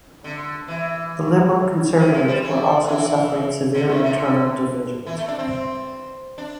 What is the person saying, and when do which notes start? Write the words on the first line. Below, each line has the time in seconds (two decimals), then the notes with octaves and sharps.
The Liberal-Conservatives were also suffering severe internal divisions.
0.24 D3
0.68 E3
1.99 E3
2.14 F3
2.28 G3
2.43 E3
2.87 E3
3.75 D3
3.89 C3
4.04 D3
5.06 E3
5.18 A3
5.28 D4
5.39 C4
6.38 D4